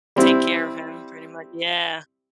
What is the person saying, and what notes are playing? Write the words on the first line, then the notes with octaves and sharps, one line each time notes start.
Take care of him pretty mu yeah.
G3 C4 E4